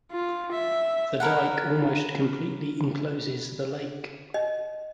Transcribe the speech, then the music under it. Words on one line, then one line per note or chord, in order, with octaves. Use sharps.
The dike almost completely encloses the lake.
F4
E5
A#4 B4 F#5
D#5